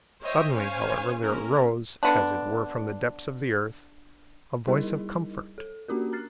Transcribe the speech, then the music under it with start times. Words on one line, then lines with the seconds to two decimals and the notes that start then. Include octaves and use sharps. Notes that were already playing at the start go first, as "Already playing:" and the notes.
Suddenly, however, there arose, as it were from the depths of the earth, a voice of comfort.
0.24 C5 C#5 D#5 E5 G5
0.54 C#4 C5 C#5 F5 G#5
1.19 A#3 C#4 A#4
2.03 D3 B3 D4
4.67 G3 D#4 E4 G#4 A#4 D#5
5.58 A4
5.88 A#3 C#4 D4 F#4 G4 A#4
6.13 A#5 F6 F#6 A6 C7